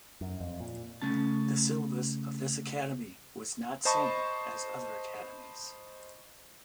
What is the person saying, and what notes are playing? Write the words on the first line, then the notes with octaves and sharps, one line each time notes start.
The syllabus of this academy was not same as other academies.
F#2
F2
A#2
C#3 A3 C#4 A5
C5 D#5 A5 B5 C#6